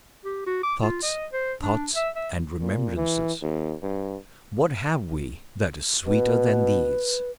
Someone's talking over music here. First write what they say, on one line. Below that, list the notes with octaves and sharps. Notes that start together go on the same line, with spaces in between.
Thoughts, thoughts and remembrances, what have we that is sweeter than these?
G4
F#4
D6
F4
D#5
C5
D4
E5
E5
A#2
E3
D#2
G2
B2 B4